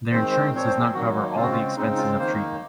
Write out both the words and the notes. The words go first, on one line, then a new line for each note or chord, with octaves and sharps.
Their insurance does not cover all the expenses of treatment.
D#3 G#3 C4 C5
C5
A#2 F3 C4 C#5
C5
G#4
D#3 F#3 A#3 F#4
C#3 G#3 C4 F4
F#4
F4
C#3 G#3 C4 D#4
D#4
F4
D#3 A#3 C5